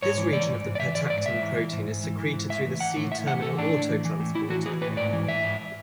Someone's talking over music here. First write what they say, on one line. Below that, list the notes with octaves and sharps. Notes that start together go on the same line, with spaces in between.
This region of the pertactin protein is secreted through the C-terminal autotransporter.
G#2 C#5
E3
E3 D5
G#2
G#2
D5
E3 E5
E3 D5
G#2 D5
G#2 E5
E3
E3
G#2
G#2
E3
E3
G#2
A2 E5
E3
E3 F#5
A2
A2 E5
E3 F#5
E3 A4
A2 D4
A2
E3
E3
A2
A2 E4
E3 F#4
E3 G#4
A2 B4
G#2 D5
E3
E3 E5
G#2